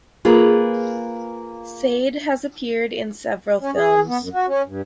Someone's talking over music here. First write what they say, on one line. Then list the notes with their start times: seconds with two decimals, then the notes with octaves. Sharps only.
Sade has appeared in several films.
0.25 A#3 F4 G#4 B4
3.61 C#4
3.75 G#4
4.08 B3
4.20 F#2
4.33 F#4
4.48 C#4
4.66 G2